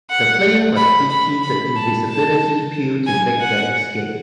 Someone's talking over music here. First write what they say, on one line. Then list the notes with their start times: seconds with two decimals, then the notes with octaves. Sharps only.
The player must feed him the invisibility pill to make their escape.
0.10 F#5
0.77 B5
1.10 B5
1.43 B5
1.76 A5
2.08 A5
3.07 G#5
3.40 F#5